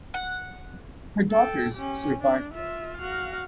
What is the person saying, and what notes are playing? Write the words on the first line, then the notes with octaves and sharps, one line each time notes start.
Her daughters survive her.
F#5
A4 G5
C#4 G4
D4
F4 E5
F#4 F5